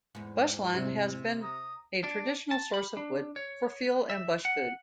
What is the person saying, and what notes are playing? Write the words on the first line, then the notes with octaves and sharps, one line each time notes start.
Bushland has been a traditional source of wood for fuel and bushfood.
E2 G#2
C3
A#5 D#6
D4
A5
B5
D4
C#5
E5
F#5